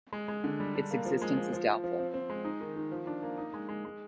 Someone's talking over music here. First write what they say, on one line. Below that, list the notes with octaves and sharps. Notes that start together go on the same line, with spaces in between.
Its existence is doubtful.
G#3
G#3
D3
G3
D4
A#3
F3
G#3
F3
F3
F3
F3
C4
C4
G#3
D#4
D#3
D#3
F3
D4
A#3
D#4
G#3
G#3
G#3